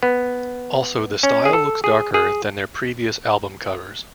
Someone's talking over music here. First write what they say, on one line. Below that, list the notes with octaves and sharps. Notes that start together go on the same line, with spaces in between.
Also, the style looks darker than their previous album covers.
B3
C#4
G#4
A4
G#4
G#4